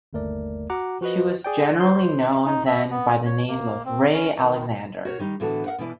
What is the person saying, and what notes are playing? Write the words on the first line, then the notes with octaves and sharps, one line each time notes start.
She was generally known then by the name of Ray Alexander.
G1 D#2 A3 A#4 D5
F#4 F#5 A#5 D6
F3 F#4 B4 D#5
G#4 D5 G5
C5 C6 G6
D#4
E5
B3
C#5
A#3
C4
C#4
D#3
F#4 A#4 C#5
D#3 G3 D#4
A2 D3 E3 B3 F#4 A4
A#4 F5 F#5
B2 E3 E4 D5